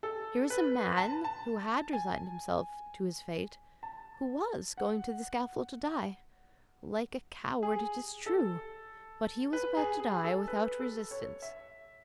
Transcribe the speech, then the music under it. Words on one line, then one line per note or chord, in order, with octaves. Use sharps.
Here is a man who had resigned himself to his fate, who was going to the scaffold to die--like a coward, it is true, but he was about to die without resistance.
A4
B4
A5
A5
G#5
A5
F#5
G#4
A4
B4
G#4
G#4
G#4
A4
B4
A4
C#5
E5